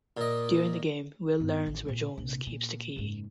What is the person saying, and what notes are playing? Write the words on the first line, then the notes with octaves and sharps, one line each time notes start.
During the game, Will learns where Jones keeps the key.
A#2 D#5
G2 B3
A1
A#2
A#1 C3
A#2
F#1 G#2